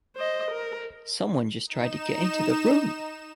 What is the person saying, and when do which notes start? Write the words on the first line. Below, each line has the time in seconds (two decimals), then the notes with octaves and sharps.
Some one just tried to get into the room!
0.16 C5 D#5
0.51 A#4
1.66 D#4 E7